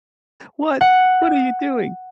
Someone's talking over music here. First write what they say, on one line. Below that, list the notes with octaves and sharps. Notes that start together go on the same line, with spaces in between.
What what are you doing?
F#5